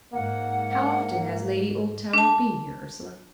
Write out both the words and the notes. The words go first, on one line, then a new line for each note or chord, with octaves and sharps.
"How often has Lady Oldtower been here, Ursula?"
G#2 A#3 F#5
D4 A5